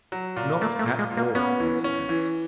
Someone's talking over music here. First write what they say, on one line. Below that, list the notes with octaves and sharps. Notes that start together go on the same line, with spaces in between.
'Not at all!' answered Hans.
F#3
A#2
A3 A#3
A3
A#2
G#3
A#2
A#3
B3 C#4
E3
C#4
E3